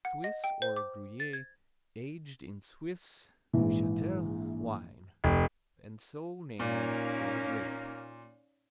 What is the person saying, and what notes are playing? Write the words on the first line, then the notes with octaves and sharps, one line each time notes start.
Swiss or Gruyere aged in Swiss Neuchatel wine and so named for the grape.
F#5
D#5
G5
C5
D6
A6
G#6
A#1 G#2 E3
F1
A#2 A#3 C#4 D#4